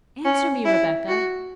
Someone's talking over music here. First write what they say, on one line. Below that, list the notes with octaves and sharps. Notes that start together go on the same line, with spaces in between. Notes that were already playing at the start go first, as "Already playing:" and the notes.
"Answer me, Rebecca."
C#4
E4
F#4